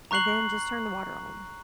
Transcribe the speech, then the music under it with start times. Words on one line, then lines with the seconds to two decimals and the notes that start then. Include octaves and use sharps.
And then, just turn the water on
0.11 A#5 C#6 F#6 C7 F#7